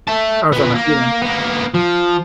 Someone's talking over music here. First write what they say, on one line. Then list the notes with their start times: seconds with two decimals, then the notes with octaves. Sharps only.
I lose all my freedom,
0.08 E5 A5
0.53 A#2 B3
0.75 A#3
1.22 A#3 B3
1.74 F3